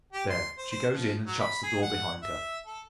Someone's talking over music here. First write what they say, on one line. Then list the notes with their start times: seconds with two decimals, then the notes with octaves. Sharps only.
There she goes in, and shuts the door behind her!
0.13 G4
0.30 C6
0.58 C5
0.71 C5
0.92 F3
1.27 F#3
1.40 B5
1.63 G#4
1.82 F#5
2.22 E5
2.66 A4